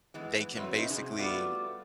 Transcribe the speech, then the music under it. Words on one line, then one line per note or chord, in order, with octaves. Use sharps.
they can basically,
E3 G#3 B3
F2 F#3 A3 C4 B4
C#4 D#4 F#4
C3 G#4
G3 A3 B3 F4 F#4 D5